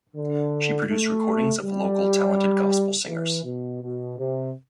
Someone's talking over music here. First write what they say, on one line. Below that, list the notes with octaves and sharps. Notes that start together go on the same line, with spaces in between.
She produced recordings of local talented gospel singers.
D3
A3
G3
E3
B2
B2
C3